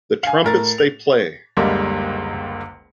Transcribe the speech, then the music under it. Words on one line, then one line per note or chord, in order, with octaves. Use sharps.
The Trumpets They Play!
F5 G#5
A2 A#4 A6
F7
F#1 C#2 D3 G3 G#3 A#3